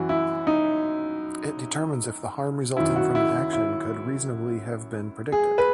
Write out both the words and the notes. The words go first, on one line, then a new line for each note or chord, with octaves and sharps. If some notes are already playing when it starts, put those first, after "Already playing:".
It determines if the harm resulting from an action could reasonably have been predicted.
Already playing: F#2 E3 F#4
E4
D#4
F#2 D#3 E4
F#4
E4
E4
G#4
B4